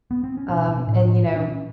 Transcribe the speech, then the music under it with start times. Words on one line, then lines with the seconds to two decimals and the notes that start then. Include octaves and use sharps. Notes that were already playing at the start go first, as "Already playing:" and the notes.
Um, and, you know,
0.11 B3
0.24 C4
0.37 C#4
0.49 B2 D4
0.68 B2
0.87 A2
1.05 A2
1.24 A#2
1.36 D4
1.43 A#2 C#4